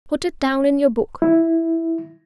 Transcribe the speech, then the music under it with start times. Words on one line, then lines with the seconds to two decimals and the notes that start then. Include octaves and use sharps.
"Put it down in your book."
1.22 E4